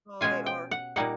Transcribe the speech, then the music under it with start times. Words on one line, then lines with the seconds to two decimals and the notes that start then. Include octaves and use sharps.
Oh, they are.
0.21 B2 G#3 C#4 F4 G#5
0.46 G5
0.71 F#5
0.96 A#2 G3 A#3 D#4 F#5